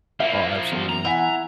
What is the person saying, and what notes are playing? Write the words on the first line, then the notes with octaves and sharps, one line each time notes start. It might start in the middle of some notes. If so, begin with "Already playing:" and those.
Oh, absolutely.
F3 A#3 E4 E5
E2
A#5
E4 F#5 G#5